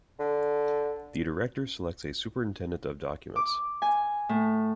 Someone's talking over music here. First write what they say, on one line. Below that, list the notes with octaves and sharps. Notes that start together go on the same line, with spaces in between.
The Director selects a Superintendent of Documents.
D3
D6
G#5
A2